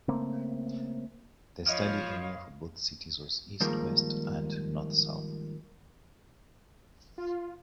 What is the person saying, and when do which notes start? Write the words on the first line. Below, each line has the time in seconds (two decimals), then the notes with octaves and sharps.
The study area for both cities was East-West and North-South.
0.08 C#3 A3 A#3 C4
1.66 F3 C#5 D#5 F5 B5 C6 D#6 F6
3.61 G#2 D#3 F3 G3 A#3
7.18 F4